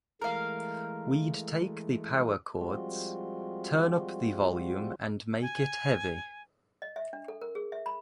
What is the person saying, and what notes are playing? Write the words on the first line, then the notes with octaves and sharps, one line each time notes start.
We'd take the power chords, turn up the volume and make it heavy.
E3 G#3 A3 A#4 F5
F3 G3 G#3 C4 F4 F#4
G#5
D#5
E5
D4
A4
A#4
G#4
E5
B5